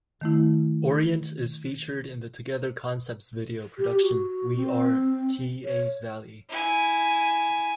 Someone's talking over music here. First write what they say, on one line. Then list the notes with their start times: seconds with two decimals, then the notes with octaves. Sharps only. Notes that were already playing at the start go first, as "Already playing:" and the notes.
Orient is featured in the Together Concepts video production "We Are..Teays Valley".
0.21 D#3 A3 E4
3.78 G4
4.02 F#4
4.57 C4
5.65 C#5
6.49 E4 G#5